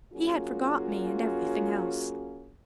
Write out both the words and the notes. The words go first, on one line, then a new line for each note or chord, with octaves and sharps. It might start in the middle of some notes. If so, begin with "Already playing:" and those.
He had forgot me and everything else.
F#3 A#3 C#4 F4 F#4 G#4